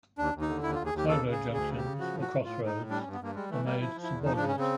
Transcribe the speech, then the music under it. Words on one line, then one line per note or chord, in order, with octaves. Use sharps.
Side road junctions, or crossroads, are made 'subordinate'.
D#2 D4
D#2
D#4
D3
D#2 E4
F4
D#2
G#4
D#2 G4
C#3 A4
C#3
G#4
D2
D2 G#4
C#3
G4
C#3
F3 F#4
A2
F#4
A2
A2 F4
A2
D#4
A2
G3 D4
C#4
G2
B3
G2 A#3
G3 G#3
E3 A3
G3 A#3
F3 E4
F3
E4
E2
F3 D#4
D4
C#3
C#4
C#3 C4